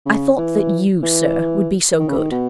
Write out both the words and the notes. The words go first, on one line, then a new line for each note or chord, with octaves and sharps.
"I thought that you, sir, would be so good!"
C#3
E3
E3
D#3
C#3
D#3
B2